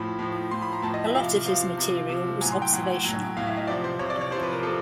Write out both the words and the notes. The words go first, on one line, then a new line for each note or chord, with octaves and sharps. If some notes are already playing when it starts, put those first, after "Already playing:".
A lot of his material was observational.
Already playing: A2 F3 B5
A2 F3
A2 F3 C6
B5
A#5
A2 F3 A5
D#5
E5
C3 F3 F5
C3 F3 F5
C3 F3
C3 F3
A2 F#3 G#5
C6
G5
A2 F#3 F#5
A2 F#3
A2 F#3 F5
E5
D#5
C3 F3 D5
C5
C3 F3 C#5
D5
C#5
C3 C5
F3
B4
A#4
C3 F3 A4